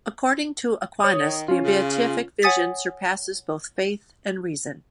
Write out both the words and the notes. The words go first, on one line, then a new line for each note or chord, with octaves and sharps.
According to Aquinas, the Beatific Vision surpasses both faith and reason.
C#5 D#6
D#3
C#4 F4
C#3
C#5 F#5 G#5 D#6 A6 B6